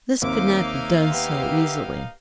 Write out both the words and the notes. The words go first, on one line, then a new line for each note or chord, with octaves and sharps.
This could not be done so easily.
D#2 A#3 C4 D#4 E5 F5 D6
B3 G4